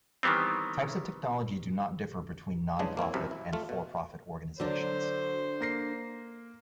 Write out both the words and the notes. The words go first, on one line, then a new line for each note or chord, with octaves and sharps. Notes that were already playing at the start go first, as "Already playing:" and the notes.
Types of technology do not differ between nonprofit and for profit organizations.
D#3 E3 G3 B3 C4
C#3 E3 G#3 D4 G#4
A#3 C4 C#4 E4
C2 F#2 C3
E4
A3 F4
B2
D3 F#3 D4 C5
A#3 A#6 C7